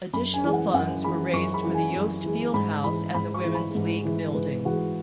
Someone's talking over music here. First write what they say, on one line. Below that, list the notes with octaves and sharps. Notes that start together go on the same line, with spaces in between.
Additional funds were raised for the Yost Field House and the Women's League Building.
F#2 B5
G#5
E3 G#3
F#5
F#2 F#5
E3 G#3 B5
F#2 C#6
B5
E3 G#3
G#5
F#2
E3 G#3
G#2 B5
E3 G#3 B5
G#2 B5
C#6
E3 G#3
B5
G#2
E3 G#3
G#2 B4
E3 G#3 F#4